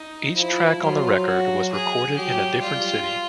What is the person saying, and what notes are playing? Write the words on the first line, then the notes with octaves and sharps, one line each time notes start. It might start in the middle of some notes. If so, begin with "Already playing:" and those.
Each track on the record was recorded in a different city.
Already playing: D#4
F3 E4
F#3 F4
F#4
G#4
F#3 G4
G3 F4